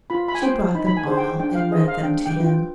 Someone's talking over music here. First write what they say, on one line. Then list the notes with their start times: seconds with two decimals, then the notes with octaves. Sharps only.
She brought them all, and read them to him.
0.10 F4 B5
0.28 B5
0.35 G#5
0.42 C5 G5
0.75 D#4 B5
0.87 B5
0.97 G#5
1.06 G#4 C5
1.17 G5
1.39 D4 G5
1.50 G5
1.55 F5
1.71 G#4 C5 D#5
1.88 F5
2.03 D4 G5
2.26 G5
2.36 F4 B4
2.46 G5